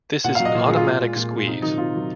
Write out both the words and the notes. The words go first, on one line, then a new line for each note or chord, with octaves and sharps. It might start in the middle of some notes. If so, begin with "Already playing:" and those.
This is an automatic squeeze.
A#2 F#5
F5
F#3
D#5
A#2
G#4
F#3
F4
A#2
G#3
A#2
G#3
C3 D#4
D#3 F#3 D#4
C3 F4
D#3 F#3